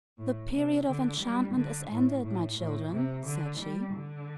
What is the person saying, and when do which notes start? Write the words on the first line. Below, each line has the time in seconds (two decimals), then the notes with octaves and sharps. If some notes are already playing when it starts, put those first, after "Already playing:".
"The period of enchantment is ended, my children," said she.
0.18 A2
0.53 C3
0.87 D3
1.21 G3
1.55 D3
1.90 A2
2.24 A2
2.58 A2
2.92 C3
3.26 D3
3.61 G3
3.94 D3